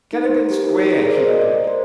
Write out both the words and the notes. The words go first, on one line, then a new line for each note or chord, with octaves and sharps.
"Cadogan Square," he ordered.
D#4
C5
A#4
G4
D#4
A#4
G#4
D5
C5
D#5
D5
A#4
C5